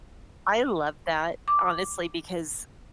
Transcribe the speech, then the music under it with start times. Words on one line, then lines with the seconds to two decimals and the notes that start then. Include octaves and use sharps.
I love that, honestly, because,
1.48 D6